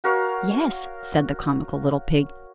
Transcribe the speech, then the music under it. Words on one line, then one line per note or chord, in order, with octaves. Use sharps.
"Yes," said the comical little pig.
F#4 A#4 C#5 F5